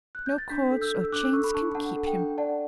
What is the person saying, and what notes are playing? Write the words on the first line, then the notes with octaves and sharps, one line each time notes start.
No cords or chains can keep him.
F#6
G6
A6
D4 G6 B6
A4
E6 G6
A4
E6
D4 D6 F#6
A4 C#6 E6
B5
D4 A5 C#6
D4 F#5 A5
A4
G5
D4
D5 F#5 A5